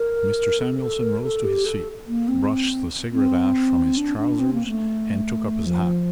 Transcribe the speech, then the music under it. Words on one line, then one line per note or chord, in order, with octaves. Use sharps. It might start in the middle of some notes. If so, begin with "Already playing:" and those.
Mr. Samuelson rose to his feet, brushed the cigarette ash from his trousers and took up his hat.
Already playing: A#4
A4
A4
A#4
A4
G4
A4
A#3
C4
C4
D4
D4
C4
A#3
A3
F3